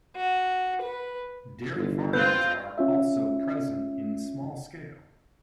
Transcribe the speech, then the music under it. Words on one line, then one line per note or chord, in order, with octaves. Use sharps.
Dairy farms are also present in small scale.
F#4
B4
G1
C4 F4 B4 G6
C#4 F4 E5